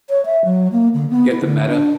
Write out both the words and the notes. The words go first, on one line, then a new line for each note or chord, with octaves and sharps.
Get the Meta.
C#5
E5
F#3
A#3
D3
B3
E4
D3
D4